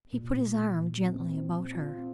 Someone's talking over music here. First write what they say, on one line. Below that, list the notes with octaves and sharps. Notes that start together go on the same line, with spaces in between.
He put his arm gently about her.
A#2
A#2
A#2
A#2
C4
C4
C4
F4
C4